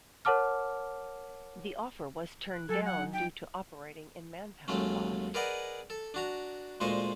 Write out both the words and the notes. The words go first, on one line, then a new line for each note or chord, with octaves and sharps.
The offer was turned down due to operating and manpower costs.
A#4 C#5 F#5 A5 D6 F6
F#6 D7
F#3 A4 G#5
F#5
D#4
G5
D#2 F#3 G#3 A3 C#4
G#4 A#4 B4 D5 D#5 F#5
A4
D4 F#4 A#5
D2 A#2 G#3 C5 D#5 C#6